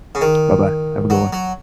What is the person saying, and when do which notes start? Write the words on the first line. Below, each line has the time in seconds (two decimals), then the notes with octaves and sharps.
Bye-bye. Have a good one.
0.15 C#3
0.21 D#3
1.10 F#3
1.33 F#3